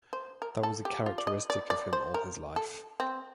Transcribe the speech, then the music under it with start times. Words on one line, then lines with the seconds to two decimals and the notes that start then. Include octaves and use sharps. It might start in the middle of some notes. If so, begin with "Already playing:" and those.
That was characteristic of him all his life.
0.13 C5
0.42 A#4
0.63 A4
0.85 G4
1.06 F4
1.18 D5
1.27 D#5
1.50 D5
1.70 D5
1.93 C5
2.14 A#4
2.56 A4
3.00 C4